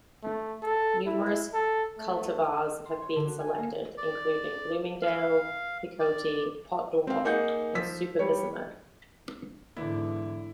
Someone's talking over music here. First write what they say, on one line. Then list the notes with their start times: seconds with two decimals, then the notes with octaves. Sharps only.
Numerous cultivars have been selected, including 'Bloomingdale', 'Picotee', 'Pot Dwarf', and 'Superbissima'.
0.23 A3
0.63 A4
1.06 E4
1.53 A4
1.99 A3
2.86 C6
3.02 C#5
3.16 D3
3.27 F#4
3.40 G#5
3.58 A#3
3.97 D5
5.02 F5
5.99 D5
7.07 C4 F5
7.25 A#3 D#4 G#4 F#5 G6
7.75 F3 E6 B6
8.19 G3 C#5
9.77 E2 G#2 D3 E4